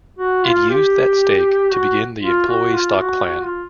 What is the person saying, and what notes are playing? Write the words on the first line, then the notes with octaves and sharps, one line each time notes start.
It used that stake to begin the employee stock plan.
F#4
F4
G4
F#4
F4
F#4
F4
F#4
F#4
F4